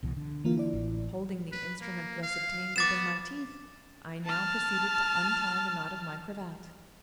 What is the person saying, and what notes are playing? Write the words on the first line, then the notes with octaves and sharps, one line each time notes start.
Holding the instrument thus obtained within my teeth, I now proceeded to untie the knot of my cravat.
C2 B2 E3
D3
E3 A#3 F4
E4 D5
A1
B4
A#3
F5
B3 D6 A6 E7
A5 F6